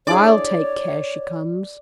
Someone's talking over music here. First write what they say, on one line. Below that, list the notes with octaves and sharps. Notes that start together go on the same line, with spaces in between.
I'll take care she comes.'
D4 E4 G#4 C#5 D5